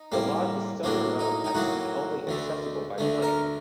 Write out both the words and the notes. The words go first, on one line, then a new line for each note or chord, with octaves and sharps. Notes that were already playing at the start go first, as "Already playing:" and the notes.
The lodge was so remote as to be only accessible by plane.
Already playing: D#4
A2 G3 A#3
A2 F#3 A#3 D4
D#4
D#4
A2 F#3 A#3 F#4
D2 D3 A3
D2 D3 A3
A#4